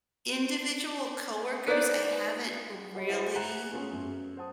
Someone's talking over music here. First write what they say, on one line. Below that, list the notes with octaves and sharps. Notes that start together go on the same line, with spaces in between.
individual coworkers, I haven't really
D#4 B4 C5 D5
F#4 G#4 C#5 D#5 F#5 B5
E4 F#4 G#4 B4 C5 E5
F#5 G#5 A#5 F#6 C7 C#7
A3 B3 C#4 F4 G#4
F#2
C5 F#5 A5 D#6